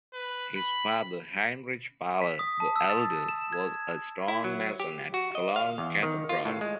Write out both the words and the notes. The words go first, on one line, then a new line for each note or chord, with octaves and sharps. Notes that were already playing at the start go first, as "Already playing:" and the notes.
His father, Heinrich Parler the Elder, was a stonemason at Cologne Cathedral.
B4
B5
B6
D#6
A5
E6
A6
E7
G#6
E4
F#3
G4
F#4
D#5
F5
E2
D#3
F4
A2
G#3